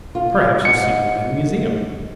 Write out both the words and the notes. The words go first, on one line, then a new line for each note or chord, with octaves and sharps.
Perhaps you have seen one in a museum.
F4
G#2 C#7